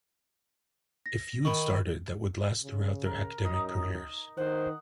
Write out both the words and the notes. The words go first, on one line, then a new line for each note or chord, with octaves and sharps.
A feud started that would last throughout their academic careers.
A#6
D#3 B5 C#6
C#3
A#4
F#2 D#4 D#6
D#3 C5 F#5